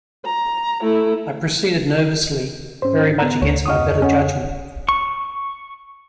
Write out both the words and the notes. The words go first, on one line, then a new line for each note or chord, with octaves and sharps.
I proceeded nervously, very much against my better judgement.
A#5
A3 E4
G#2 C#4 C5
B3 A#5
D2 C#5
F2 D#5 F#5 C#6 D#6 F6
C#4 C#5 F#5
C#6